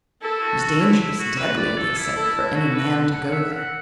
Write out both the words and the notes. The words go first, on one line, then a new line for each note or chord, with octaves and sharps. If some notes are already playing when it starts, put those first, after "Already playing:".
It was dangerous, deadly, they said, for any man to go there.
E4 A4
F#4
F#4
E4
E4
F#4
B4
D5
A4
E4
E4 A4
E4
F#4 A4
B4
F#5
E5
F#5